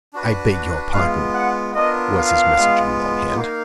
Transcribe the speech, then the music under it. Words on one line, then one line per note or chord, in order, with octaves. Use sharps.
"I beg your pardon," was his message in long-hand.
D4 F#4 B4
G#3 B3 F4 F5
F#5
B3 D4 F4 A#4 D#5
F5
G#3 B3 F4
A#3 D#4 A#4 F5